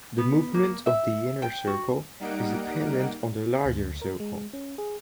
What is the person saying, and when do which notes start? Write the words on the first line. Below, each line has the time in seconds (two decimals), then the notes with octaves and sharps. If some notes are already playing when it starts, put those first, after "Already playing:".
The movement of the inner circle is dependent on the larger circle.
0.18 B3
0.54 A#3
0.86 E5
1.42 G5
1.67 F#4
2.20 G3 A#3 D#4 F#5 D7
3.65 D2
4.02 A#4
4.20 G#3
4.53 C#4
4.78 G#4